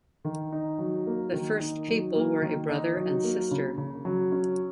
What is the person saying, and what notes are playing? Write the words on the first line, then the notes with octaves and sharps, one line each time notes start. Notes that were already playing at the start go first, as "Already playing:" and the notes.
The first people were a brother and sister.
D#3
D#4
F#3
A#3
D#3
D#4
F#3
A#3
D#3
D#4
F#3
A#3
C#3
C#3
F#3
C#4